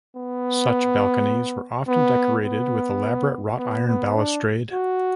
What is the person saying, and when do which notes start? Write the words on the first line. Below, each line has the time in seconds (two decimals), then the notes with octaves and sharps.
Such balconies were often decorated with elaborate wrought iron balustrade.
0.16 B3
1.88 B3
2.45 B3
3.58 B3
3.87 B3
4.15 D4
4.72 F#4